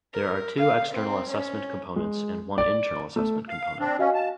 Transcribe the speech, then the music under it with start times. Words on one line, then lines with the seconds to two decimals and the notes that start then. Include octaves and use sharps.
There are two external assessment components and one internal assessment component.
0.14 A#4
0.57 F5
0.92 C4
1.31 C#4
1.96 G#3
2.58 D5
3.16 A3
3.49 F5
3.79 C4 D4
3.99 C#4 F#4 D#5 F5
4.14 A5